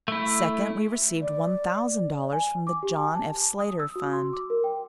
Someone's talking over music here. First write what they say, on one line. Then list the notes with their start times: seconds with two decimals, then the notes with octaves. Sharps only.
Second, we received one thousand dollars from the John F. Slater Fund.
0.08 A3 E4
1.21 D5
2.33 G#5
2.67 D6
2.83 G4
2.97 G#5
3.15 A5
3.59 D#6
3.80 E6
3.96 F#4
4.13 C6
4.33 D6
4.50 A#4
4.64 G5